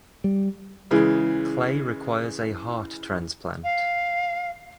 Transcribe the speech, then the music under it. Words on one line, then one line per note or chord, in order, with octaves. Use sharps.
Clay requires a heart transplant.
G3
C#3 E3 G#3
F5